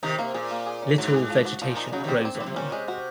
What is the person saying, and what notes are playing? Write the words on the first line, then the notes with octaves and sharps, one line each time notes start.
Little vegetation grows on them.
C3 D#3 D#4
C3 A#3
A#2 G#4
A#3
G#4
C#4
G#2 F#3
G#4
F3
F#4
A#2 F3
D#4
C#3 F#3
C3 D#3 C4
A#2
C4
G#2
C4
C3
A#2 C#4
C3 G#3
C3 F#4